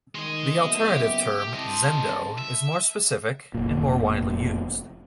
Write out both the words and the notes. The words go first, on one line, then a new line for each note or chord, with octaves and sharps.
The alternative term "zendo" is more specific, and more widely used.
D#3 G#3 D#5
F#1 B3 E5
G4
C2 C4 D#5 A5
E5
F1 A#2